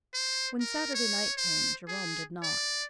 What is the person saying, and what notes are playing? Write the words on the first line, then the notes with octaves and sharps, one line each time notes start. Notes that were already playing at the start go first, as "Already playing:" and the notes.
When Saturday night came Jerome did not.
C5
A#4
C#5
C5
G#4
D5